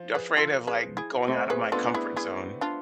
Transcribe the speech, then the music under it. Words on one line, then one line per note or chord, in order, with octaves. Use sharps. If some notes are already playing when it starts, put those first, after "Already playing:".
afraid of, like, going out of my comfort zone
Already playing: F3
G#4 B4
F4 A4
G#4 B4
E4 G#4
A3 C4
G#4 B4
B3 D4 F4 A4
E4 G#4
E4 G#4
D4 F4